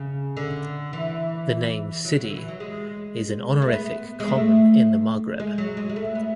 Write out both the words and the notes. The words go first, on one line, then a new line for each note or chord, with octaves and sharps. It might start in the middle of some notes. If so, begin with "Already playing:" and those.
The name "Sidi" is an honorific common in the Maghreb.
Already playing: C#3
D3
E3
F#3
D3
E3
F#3
G#3
A3
B3
G#3
A3
G#3
F#3
G#3
G#3
A3
B3